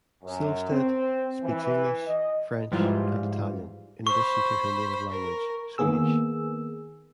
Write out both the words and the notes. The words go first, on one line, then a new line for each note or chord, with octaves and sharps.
Silvstedt speaks English, French, and Italian, in addition to her native language Swedish.
F#2
C4
E3
D#5
G#2 E3 F3 G3 F4
C5 B5 C#6
A#4
D#3 A#3 B3 G#4 E6